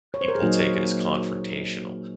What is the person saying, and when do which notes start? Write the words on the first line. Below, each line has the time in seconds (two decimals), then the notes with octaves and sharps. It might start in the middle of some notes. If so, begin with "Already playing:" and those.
people take it as confrontational,
0.14 C#5
0.21 C5
0.28 A#4
0.35 G#4
0.42 A#2 F#3 A#3 D#4 F#4